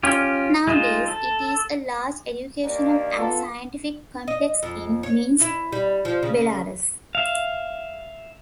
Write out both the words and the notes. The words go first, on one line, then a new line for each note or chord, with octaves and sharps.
Nowadays it is a large educational and scientific complex in Minsk, Belarus.
C#4 F4 G4
G#3 D#4 F4 C5
A4
D#2 A#3 D5
B3 F4 A4
D#5
F2
C#5
E4
G3
F3
C#3
E5 F5